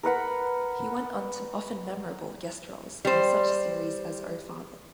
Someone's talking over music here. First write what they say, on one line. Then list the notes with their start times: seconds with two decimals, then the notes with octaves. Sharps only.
He went on to often-memorable guest roles on such series as Oh Father!
0.03 A#4 B4 F#5 B5
3.05 G3 C5